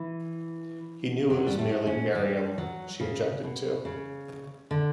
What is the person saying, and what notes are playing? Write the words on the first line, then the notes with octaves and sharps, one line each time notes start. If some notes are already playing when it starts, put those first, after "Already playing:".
He knew it was merely Miriam she objected to.
Already playing: E3
F#3
G3
A3
C#4
G3
F#3
C#3
B2
C#3
D3